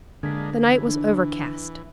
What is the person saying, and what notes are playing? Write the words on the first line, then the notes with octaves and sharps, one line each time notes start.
The night was overcast.
D3 G#3 A#3 D4 G#6 B6
E3
D4